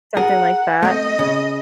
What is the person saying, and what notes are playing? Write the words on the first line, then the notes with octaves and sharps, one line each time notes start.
something like that
G#4 A#4 F#5
A3 C4 D#5
C#3